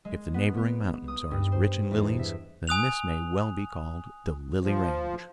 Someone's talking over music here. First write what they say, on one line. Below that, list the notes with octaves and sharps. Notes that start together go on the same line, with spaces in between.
If the neighboring mountains are as rich in lilies, then this may well be called the Lily Range.
G#3
B3
B3
D#6
G2
C5
E2
E5
G#5 D#6 F#6 F7
F3